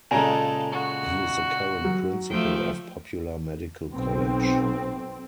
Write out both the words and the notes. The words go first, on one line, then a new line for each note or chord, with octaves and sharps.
He is the current Principal of Popular Medical College.
A#2 C#3 G#3 A4 G#5 A#5
F#4
F#3
F3 A3 G5
B1 C4